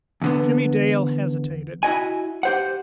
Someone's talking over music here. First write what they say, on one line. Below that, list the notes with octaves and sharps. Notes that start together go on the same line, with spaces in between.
Jimmie Dale hesitated.
E2 D3 B3
E4 F#4 D#5 G#5
G4 C5 F#5